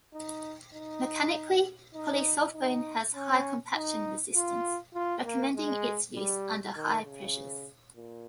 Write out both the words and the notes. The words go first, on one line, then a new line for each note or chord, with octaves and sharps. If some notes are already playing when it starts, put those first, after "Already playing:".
Mechanically, polysulfone has high compaction resistance, recommending its use under high pressures.
D#4
D#4
D#4
D#4
C#4
D#4
F4
F4
A#3
G#3
G3
D#3
C#3
A#2